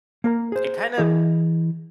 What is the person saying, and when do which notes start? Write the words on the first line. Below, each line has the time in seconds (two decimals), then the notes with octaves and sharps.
It kinda
0.24 A#3 A#4 A#5
0.52 G#4 C5
0.98 E3 E4 G#4 D#5